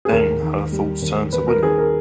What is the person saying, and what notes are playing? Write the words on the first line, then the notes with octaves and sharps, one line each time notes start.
Then her thoughts turned to William.
G#4
D#2 A#4
D#3
G3
D#2
D#2 B4
A#4
D#3 G#4
A#4